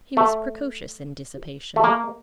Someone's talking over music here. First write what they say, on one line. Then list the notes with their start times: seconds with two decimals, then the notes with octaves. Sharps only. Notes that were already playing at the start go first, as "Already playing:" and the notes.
He was precocious in dissipation.
0.17 A3
1.76 A3
1.84 A#3